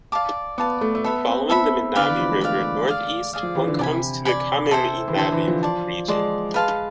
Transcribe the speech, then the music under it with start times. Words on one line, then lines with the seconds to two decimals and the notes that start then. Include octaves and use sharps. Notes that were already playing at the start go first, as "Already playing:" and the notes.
Following the Minabe River northeast one comes to the Kamiminabe region.
0.12 D5 F5 A5 D6
0.58 B3 D5 F5 A5 D6
0.81 A3
0.95 A3
1.04 B3 A4 E5 B5
1.27 C4
1.50 B3 A4 E5 B5
1.95 D3 B4 D5 F5
2.08 E3
2.19 F3
2.30 G#3
2.41 A3 B4 D5 F5
2.88 G#4 D5 F5
3.33 G#4 D5 F5
3.43 F3
3.55 E3
3.68 D3
3.79 C3 D5 G#5 B5
4.25 D5 G#5 B5
4.71 A4 C5 E5 G#5
5.08 E3
5.16 D3 A4 C5 E5 G#5
5.32 E3
5.48 F3
5.63 D5 A5 C6
6.08 G#3 D5 A5 C6
6.54 G#3 B4 F5 A5 C6